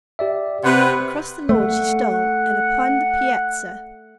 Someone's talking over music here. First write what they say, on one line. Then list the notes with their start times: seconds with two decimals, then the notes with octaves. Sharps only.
Across the lawn she stole, and upon the piazza.
0.19 G4 D5 E5
0.64 C3 B4 F#5
1.49 A3 F#5